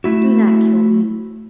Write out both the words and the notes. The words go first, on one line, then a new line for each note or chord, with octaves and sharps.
Do not kill me.
A3 E4 F#4